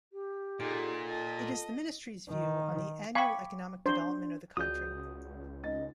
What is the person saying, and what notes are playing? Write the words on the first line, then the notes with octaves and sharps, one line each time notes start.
It is the ministry's view on the annual economic development of the country.
G4
A#2 D#4 F4 G#4 A4 F#5
D#5 A5
D#3
F5 G5 G#5 B5 C#6 D6
D4 C5
C#2 F#4 G#4 D5 D#6 G6
C#4 D#4 D#5 A6